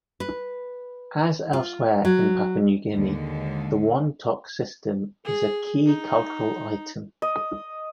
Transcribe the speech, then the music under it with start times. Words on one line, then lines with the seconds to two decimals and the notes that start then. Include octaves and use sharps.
As elsewhere in Papua New Guinea, the wantok system is a key cultural item.
0.20 B4
1.53 F4
2.05 F#3
2.94 D#2 D3 G#3
5.25 G#4
5.86 D#4
7.22 D#5